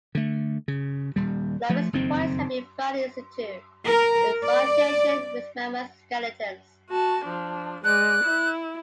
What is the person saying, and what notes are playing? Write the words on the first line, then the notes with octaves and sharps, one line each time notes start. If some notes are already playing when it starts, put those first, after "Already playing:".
Clovis points have been found "in situ" in association with mammoth skeletons.
D3 A3
C#3
D#1 G3
F3 A3
F#1 F2 D#3 C4
A#4
D5
F#4 A5
F3 D4
G#3 D5 F#6
E4